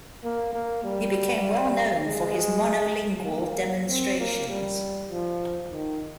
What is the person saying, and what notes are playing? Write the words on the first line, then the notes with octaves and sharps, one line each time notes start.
He became well known for his "monolingual demonstrations".
A#3
A#3
G3
G#3
A#3
C4
A#3
G3
F3
D#3